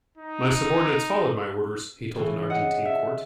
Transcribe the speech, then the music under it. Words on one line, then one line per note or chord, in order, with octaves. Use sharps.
My subordinates followed my orders, he told an Argentine court.
D#4
C#3 E3
D#5 F#5
E5